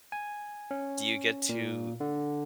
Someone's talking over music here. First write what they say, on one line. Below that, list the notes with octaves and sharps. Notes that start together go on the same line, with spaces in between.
Do you get to
G#5
C#4
A#2
D3